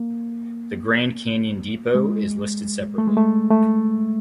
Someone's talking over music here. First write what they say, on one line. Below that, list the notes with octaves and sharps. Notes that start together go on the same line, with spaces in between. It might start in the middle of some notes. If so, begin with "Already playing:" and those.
The Grand Canyon Depot is listed separately.
Already playing: A#3
G#3
A3
G#3
A3
A3